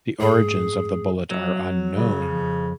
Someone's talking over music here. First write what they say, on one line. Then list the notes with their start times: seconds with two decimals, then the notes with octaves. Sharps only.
The origins of the bullet are unknown.
0.20 G#2 A3 G#4
1.31 F#3
1.96 C#3
2.22 F2